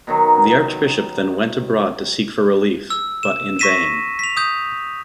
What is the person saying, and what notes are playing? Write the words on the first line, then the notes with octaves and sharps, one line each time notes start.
The archbishop then went abroad to seek for relief, but in vain.
B2 D#3 F#3
E6
E7
C#6 A#6 B6 D#7 E7
B6 F7
D#6 G6